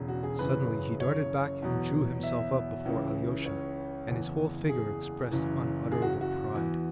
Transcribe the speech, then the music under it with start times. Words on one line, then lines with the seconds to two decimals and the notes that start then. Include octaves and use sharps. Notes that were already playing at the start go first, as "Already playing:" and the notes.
Suddenly he darted back and drew himself up before Alyosha, and his whole figure expressed unutterable pride.
Already playing: E1 E2 C#3
0.08 F#4
0.23 G#4
0.39 F#1 F#2 C#3 E3 B4
1.00 C#5
1.62 E2 B2 F#3
2.23 E5
2.85 C#2 C#3 E3
3.46 C#5
4.08 F#1 E2 E3
4.69 G#4
5.31 F#1 F#2 E3
5.92 G#4
6.02 F#4
6.21 F#4
6.54 E2 E3